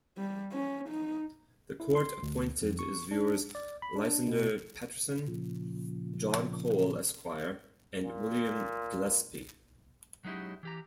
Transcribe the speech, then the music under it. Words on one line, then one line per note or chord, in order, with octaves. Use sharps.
The court appointed as viewers Lysander Patterson, John Cole, Esquire, and William Gillespie.
G3
C#4
D#4
E4
C6
D2
F2
C#6
D4
D5
B5
D4
B2
A#2 C#3 F3
A#2
F#3 G#3 C#4 D#4 E4 G4
E3 G4 A#5